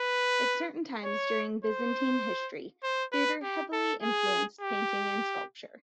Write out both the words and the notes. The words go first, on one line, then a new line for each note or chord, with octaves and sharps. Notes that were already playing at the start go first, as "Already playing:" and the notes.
At certain times during Byzantine history, theater heavily influenced painting and sculpture.
Already playing: B4
C#5
C5
C5
B4
G4
A4
G#4
G4